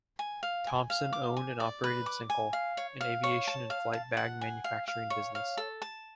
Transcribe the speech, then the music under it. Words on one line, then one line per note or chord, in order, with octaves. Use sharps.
Thompson owned and operated Cencal, an aviation and flight bag manufacturing business.
G#5
F5
G#5
F5
D6
G#5
D5
B4
D6
G#5
F5
C#5
F5
C#5
A5
F5
A5
F#5
G#5
F5
F5
C#5
F5
A4
A5